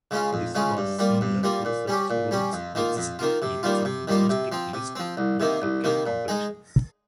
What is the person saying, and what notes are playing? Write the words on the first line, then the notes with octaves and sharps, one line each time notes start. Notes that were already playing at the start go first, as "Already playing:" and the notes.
This was similar to such rules existing in some domestic List A cricket competitions.
C#3 G#3 C#4 F4
F2
C#3 G#3 C#4 F4
G2
G3 A#3 F4
G2
G3 A#3 F4
A#2
G3 C#4 G4
A#2
G3 C#4 G4
F2
D#3 A#3 F4
F2
D#3 A#3 F4
C3
D#3 G3 A#3 F4
C3
D#3 G3 A#3 F4
C3
F3 C4
C3
F3 C4
C2
C3 D#3 A#3
C2
C3 D#3 A#3
A#2
G#3 D#4 G#4